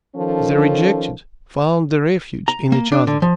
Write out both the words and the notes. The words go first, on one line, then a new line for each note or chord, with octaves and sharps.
The rejected found a refuge in each other.
D#3 F3 C#4 A4
A#5
A#3
D4
D3
F3